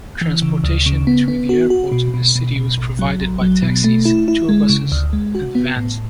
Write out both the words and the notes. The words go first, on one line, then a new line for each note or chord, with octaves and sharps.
Transportation between the airport and city was provided by taxis, tour buses and vans.
E3
C#3
D2
C#3
B3
B3
F#4
F#4
B2
B2
B2
B2
A1
F#3
A1
F#3
B2
A3
E4
E4
G#3
C#3
D2
G#3
F#4
B3
A2